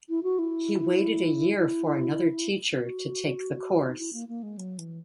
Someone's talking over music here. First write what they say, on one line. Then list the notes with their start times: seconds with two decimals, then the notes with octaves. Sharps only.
He waited a year for another teacher to take the course.
0.10 E4
0.23 F#4
0.39 E4
1.58 E4
2.78 F#4
3.88 D#4
3.98 E4
4.13 A#3
4.28 A#3
4.43 G#3
4.58 F#3
4.78 E3